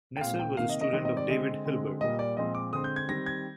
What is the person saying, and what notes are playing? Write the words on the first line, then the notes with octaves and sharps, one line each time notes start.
Kneser was a student of David Hilbert.
G5
A#2 G#3 C4 F5
G5
C3 D#3 A#3 F5
D#5
D#5
C3 D#3 G3 C4 D#5
D#5
D5
D3 G#3 C4 D#5
D3 G#3 C4
A#2 G3 A#3 D#5
D5
A#2 F3 G#3 C4 D#5
D6
D3 G#3 C4 D#6
G6
G#6
D#3 G3 C4 A#6
G#6